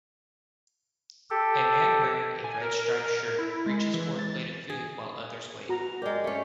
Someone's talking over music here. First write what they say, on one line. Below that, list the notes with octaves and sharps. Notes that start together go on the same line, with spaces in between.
A man wearing a red striped shirt reaches for a plate of food while others wait.
G4 A4
G#5
A#4
E4
G#3
E3
A6
G#4
F#4 A#5
G#3 G4 A#4 D5
A3 C#4 D5